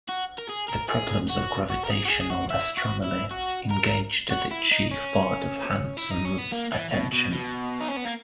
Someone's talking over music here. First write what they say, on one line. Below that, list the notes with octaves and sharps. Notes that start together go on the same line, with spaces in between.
The problems of gravitational astronomy engaged the chief part of Hansen's attention.
F#4
A#4
G#4
A#4
G#4
F#4
F#4
A#4
G#4
F#4
G#4
G#4
F#4
E4
F#4
E4
F#4
A#4
F#4
E4
D#4
C#4
E4
D#4
C#4
B3
A#3
E3
B2
B2
B2
D#4
C#4
B3
A#3